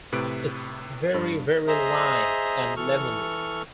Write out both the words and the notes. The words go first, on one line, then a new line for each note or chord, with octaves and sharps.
It's veri veri Lime and Lemoni.
A2 C3 B4 F#6 D7
G2
G#4 C5 D#5 E5 A#5 D#6
E3 A4 C#6 F6